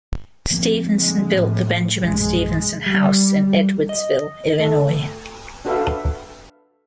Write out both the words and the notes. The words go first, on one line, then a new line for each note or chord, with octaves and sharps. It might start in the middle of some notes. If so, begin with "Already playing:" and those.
Stephenson built the Benjamin Stephenson House in Edwardsville, Illinois.
F3 A#3 C4
D3 G#3
A2
A#1 F#2 D#3 G#3
G3
D#5
A3 A4
D4 F#4 A4 B4 E5 F5